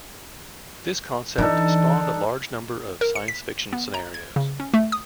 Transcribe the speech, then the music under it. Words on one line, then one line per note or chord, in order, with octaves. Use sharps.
This concept spawned a large number of science fiction scenarios.
E3 D4 D#4 A4
A#4
C#7
B6
B3
A#5
G#6
C#3
C#4
A3
D#6